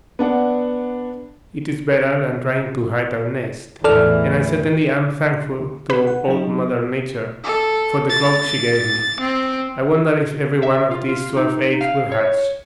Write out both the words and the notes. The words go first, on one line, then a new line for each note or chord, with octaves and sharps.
It is better than trying to hide a nest, and I certainly am thankful to Old Mother Nature for the cloak she gave me. I wonder if every one of these twelve eggs will hatch.
B3 D4 F#5
E2 A2 E3 A4 D5 F6
B4
F#5
F#3 D#4
A4
A6
C4
E5
F4
F4
D#4
F5
C#5